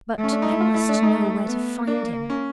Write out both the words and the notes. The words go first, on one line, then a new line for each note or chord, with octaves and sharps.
But I must know where to find him.
A3
C#4
D4
D#4
E4
F4
E4
D4
D#4
B3
A#3 D4
C#4